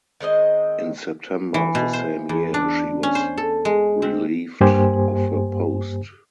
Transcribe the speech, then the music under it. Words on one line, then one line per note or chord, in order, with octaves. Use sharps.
In September of the same year she was relieved of her post.
D#3 G#3 C4 D#5
E3
B2
C5
E2
D4
C#4
C5
A4
G#3
C4
G2 A#3 G4 C5 G#5